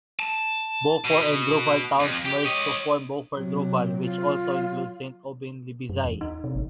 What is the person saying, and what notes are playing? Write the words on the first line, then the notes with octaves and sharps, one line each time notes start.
Beaufour and Druval towns merged to form Beaufour-Druval, which also includes Saint-Aubin-Lébizay.
A5
B2
F2
G4
C#5 D#5
C3 F#3
F4
F#3
F#2
E2
D#4
C3
A1